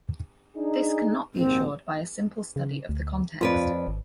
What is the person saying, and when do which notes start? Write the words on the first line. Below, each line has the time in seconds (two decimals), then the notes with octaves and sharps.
This can not be assured by a simple study of the context.
0.57 D4 D#4 G#4
1.35 A#1 D#2 G#2 C4
2.56 C#3
2.89 D2
3.41 F2 F4 B4 D5
3.87 G#1